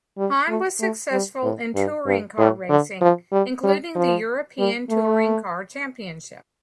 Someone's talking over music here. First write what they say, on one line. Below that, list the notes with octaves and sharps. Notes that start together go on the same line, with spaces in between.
Hahne was successful in touring car racing, including the European Touring Car Championship.
G3
A3
A3
G3
A2
G2
G2
A2
D3
F3
G3
G3
F3
G3
A3